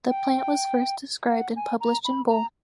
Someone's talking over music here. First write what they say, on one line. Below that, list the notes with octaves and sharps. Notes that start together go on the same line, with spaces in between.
The plant was first described and published in Bull.
G5
F#5
G#5
A#5
B5
A#5